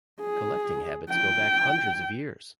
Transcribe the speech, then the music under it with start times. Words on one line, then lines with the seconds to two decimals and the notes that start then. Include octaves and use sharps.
Collecting habits go back hundreds of years.
0.21 G#4
1.10 G5